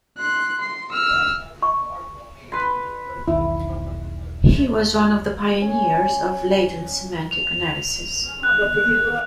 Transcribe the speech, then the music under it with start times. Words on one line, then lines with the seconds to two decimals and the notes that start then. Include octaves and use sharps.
He was one of the pioneers of Latent semantic analysis.
0.18 C6 F#6
0.58 C6
0.92 E6 F6
1.62 C#6
2.52 B4 C6
3.28 E1 B1 D#3 E4
5.62 C#4 C#5
7.31 F7
8.43 F#6